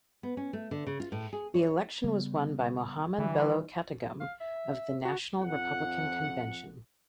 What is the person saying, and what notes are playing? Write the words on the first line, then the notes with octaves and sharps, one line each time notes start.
The election was won by Mohammed Bello Katagum of the National Republican Convention.
B3
C#4
A3
D3
C#3
F4
A2
G#4
C#5
C#3 G3 B3
D3 E3 G3
F5
E5
F#4
F2 F#5